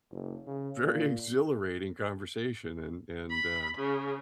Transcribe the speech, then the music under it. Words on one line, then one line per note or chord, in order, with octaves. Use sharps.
very, exhilarating conversation and and, uh,
F#1
C#3
A#2
B5
C#3